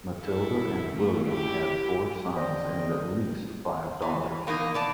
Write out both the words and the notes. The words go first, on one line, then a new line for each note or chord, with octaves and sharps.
Matilda and William had four sons and at least five daughters.
E4 A4
C#3 A3
E4 G4
E2 D3 C5 D5 D#5 G5
E3
E2 A#3 D#4 E4 D#5
B2 D5 A5